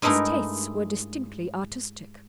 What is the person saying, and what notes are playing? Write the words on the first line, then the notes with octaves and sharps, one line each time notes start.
His tastes were distinctly artistic.
G2 G#3 A3 D#4 E4 A#4